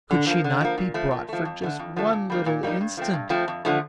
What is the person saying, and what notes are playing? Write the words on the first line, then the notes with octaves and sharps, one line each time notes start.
Could she not be brought for just one little instant?
D3
F3 A#3
D3
F3 A#3
A#2
F3 A3
A#2
F3 A3
F2
D3 F3 A3
F2
D3 F3 A3
A#2
G3 A#3 D#4
A#2
G3 A#3 D#4
G2
F3 A3 C4
G2
F3 A3 C4
F2
D3 F3 A3